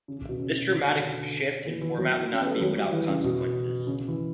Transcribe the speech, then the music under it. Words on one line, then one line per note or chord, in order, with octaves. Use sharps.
This dramatic shift in format would not be without consequences.
C#3
C#3
B2
C#3
B2
C#3
D3
B2
D3
D3
E3
E3
F#3
C#4
B3
A3
G3
F#3
G3
E3
C#3
B2
C#3
E3